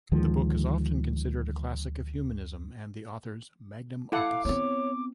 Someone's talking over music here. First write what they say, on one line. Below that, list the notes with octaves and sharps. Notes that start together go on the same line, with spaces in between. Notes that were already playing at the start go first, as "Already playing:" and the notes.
The book is often considered a classic of humanism and the author's "magnum opus".
D2 D#3 F3 G#3
E4 A4 F5 F#5 D6
B3 C4 C#5